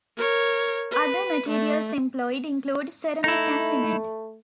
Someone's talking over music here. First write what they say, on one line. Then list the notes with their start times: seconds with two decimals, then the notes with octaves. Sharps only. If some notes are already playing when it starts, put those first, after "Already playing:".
Other materials employed include ceramic and cement.
0.16 A#4 C#5
0.91 B4
1.48 A3
3.24 A3 D#4 E4